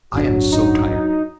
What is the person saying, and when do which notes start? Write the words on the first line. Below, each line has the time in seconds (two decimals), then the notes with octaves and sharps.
I am so tired.
0.14 D1 G1 F#3 D4 F#4
0.52 D#4